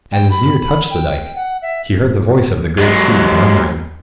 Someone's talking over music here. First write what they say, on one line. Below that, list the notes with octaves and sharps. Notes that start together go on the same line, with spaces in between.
As his ear touched the dike, he heard the voice of the great sea, murmuring.
G5
B5
G5
F#5
E5
F#3 G#3